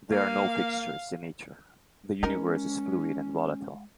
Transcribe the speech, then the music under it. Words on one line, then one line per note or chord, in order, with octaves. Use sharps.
There are no fixtures in nature. The universe is fluid and volatile.
A#3 F5
G#3 C#4 D#4 A#4